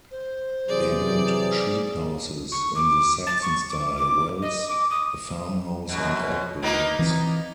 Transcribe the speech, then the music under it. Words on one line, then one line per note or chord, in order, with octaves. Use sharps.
They built sheep houses in the Saxon style, wells, a farmhouse and outbuildings.
C5
C3 E3 F#3 G#4 D5
C#6
D6
A6
C#6
D6
D6
D#5
D6
D#6
F#2 B2
A#3 B3 D#4
E3 C4